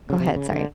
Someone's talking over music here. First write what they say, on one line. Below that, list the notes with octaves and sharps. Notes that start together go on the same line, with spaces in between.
Go ahead, sorry.
C#3
C3
C#3
D3